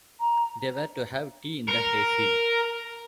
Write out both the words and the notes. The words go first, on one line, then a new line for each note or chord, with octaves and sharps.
They were to have tea in the hayfield.
A#5
A#4